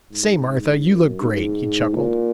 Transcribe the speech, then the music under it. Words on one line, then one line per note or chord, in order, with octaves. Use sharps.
'Say, Martha, you look great,' he chuckled.
G#2
G#2
F#2
G#2
A#2